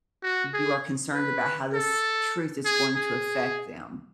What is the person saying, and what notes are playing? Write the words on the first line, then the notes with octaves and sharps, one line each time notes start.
you are concerned about how this truth is going to affect them.
F#4
G#4
B4
A4
G#4
G#4